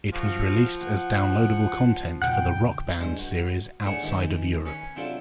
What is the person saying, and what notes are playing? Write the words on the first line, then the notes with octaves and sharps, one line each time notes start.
It was released as downloadable content for the "Rock Band" series outside of Europe.
F3 F4 F#4 F5
F#5
E2 A#2 C#3 F#5 G5
G2 G#3 C5
F#4
A2 D4 G#4 F#5 C#6 D#6
D#3 E3 G#3 G4
C#4 B4 C#5 G#5
C3 F#3 D4 E4 F4 A4